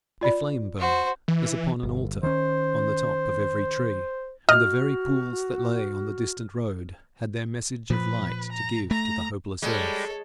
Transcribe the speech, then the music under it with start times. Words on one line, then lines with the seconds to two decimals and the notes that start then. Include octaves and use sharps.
A flame burned as upon an altar on the top of every tree, and the very pools that lay on the distant road had their message of light to give to the hopeless earth.
0.21 F4 D5 B5
0.79 F#4 C5
1.28 E3
1.83 G1
2.23 D#3 C#4 C5
4.49 F#4 D#5 F6
7.90 A#2 F3 B4
8.52 A#5
8.91 A3 A#5
9.62 G3 G#3 A4 C#5 D5 B5